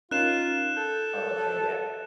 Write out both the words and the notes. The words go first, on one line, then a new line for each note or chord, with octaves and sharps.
Oh, okay, yeah,
C#4 D#4 F4 A#4 F#6 E7
A4 G6